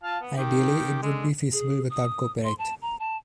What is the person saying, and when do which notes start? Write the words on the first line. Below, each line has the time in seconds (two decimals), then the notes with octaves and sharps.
Ideally it would be feasible without copyright.
0.03 F4 F5 A5
0.21 B3
0.37 D#3 G4
1.02 D3 G#3
1.53 G#4
1.90 D#6
2.44 C6
2.59 A5
2.82 A#5
2.99 A5